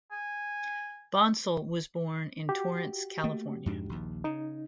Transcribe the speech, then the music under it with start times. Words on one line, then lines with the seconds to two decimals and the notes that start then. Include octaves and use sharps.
Bonsall was born in Torrance, California.
0.12 G#5
2.49 F#4 G4
3.24 A3 A#3
3.66 F2 G#2 D4
3.89 A#1 D#2
4.24 C#3 D#4